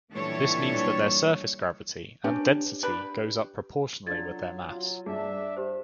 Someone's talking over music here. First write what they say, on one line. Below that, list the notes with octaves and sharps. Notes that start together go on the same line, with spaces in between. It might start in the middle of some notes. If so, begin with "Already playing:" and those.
This means that their surface gravity and density goes up proportionally with their mass.
A#2 E3 G3 D4 A4 C#5
C#4 D4 G4 B4
D4 G4 B4
F#3 D4 F4 A4 G#6 A6
F#3 F4
G2 D4 G#4 E5
G4 C5